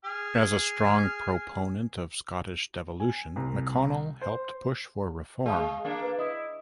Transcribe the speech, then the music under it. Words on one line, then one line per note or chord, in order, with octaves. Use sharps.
As a strong proponent of Scottish devolution, McConnell helped push for reform.
G#4 F6
G#5
C2
C5
G#3 G#4 F5 D#6
A#3 D4
B4
E4 D#5 D#6